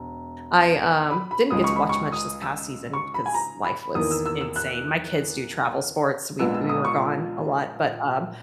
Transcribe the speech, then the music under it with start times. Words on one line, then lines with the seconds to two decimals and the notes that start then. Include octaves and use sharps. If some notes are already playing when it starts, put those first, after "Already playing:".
I um, didn't get to watch much this past season 'cause life was insane. My kids do travel sports, we we were gone a lot, but, um,
Already playing: E1
1.11 B5
1.31 B5
1.50 C#2 C#3 G#3 D#6
1.64 C#6
1.76 B5
1.89 C#6
2.12 D#6
2.42 E6
2.93 C#6
3.14 B5
3.26 G#5
3.34 A#5
3.65 B5
3.95 E2 D#3 A#3 D#6
4.11 E6
4.26 E6
4.41 E6
4.56 F#6
6.39 A#1 A#2 G#3 B3 E6
6.54 E6
6.69 D#6
6.85 C#6